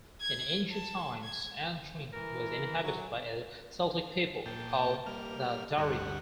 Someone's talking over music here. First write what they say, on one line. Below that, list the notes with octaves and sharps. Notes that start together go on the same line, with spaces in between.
In ancient times, Antrim was inhabited by a Celtic people called the Darini.
G#6
A5
G#6
E3 A#4
F#3
A#2 G5 A5
G3 A#3 F6
D2 G2 G3 F#5 C#6